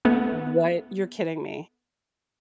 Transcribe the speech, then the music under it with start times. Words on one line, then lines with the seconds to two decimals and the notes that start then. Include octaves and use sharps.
What? You're kidding me.
0.05 A3 B3